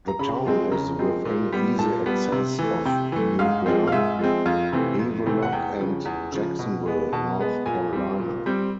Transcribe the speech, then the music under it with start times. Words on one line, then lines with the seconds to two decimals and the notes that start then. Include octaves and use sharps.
The town is within easy access of New Bern, Havelock and Jacksonville, North Carolina.
0.08 A#5
0.19 C#3 B5
0.45 F3 G#3 C4
0.72 C#3 A#5
0.99 F3 G#3 C4
1.25 A#2
1.52 G3 B3
1.79 A#2 A5
2.06 G3 B3
2.32 C3
2.59 E3 A3
2.85 C3 G5
3.12 E3 A3
3.39 G#2 F5
3.66 F3 G#3 C4
3.87 F5
3.92 G#2 E5
4.19 F3 G#3 C4
4.46 F2 F5
4.72 C3 E3 A3 C4
4.99 F2
5.26 C3 E3 A3 C4
5.43 F#5
5.52 E2 G5
5.79 C#3 F3
6.05 E2
6.32 C#3 F3
6.59 B2
6.86 G#3 B3
7.13 B2 A5
7.39 G#3 B3
7.66 A#2 G#5
7.93 G3 C4
8.19 A#2
8.46 G3 C4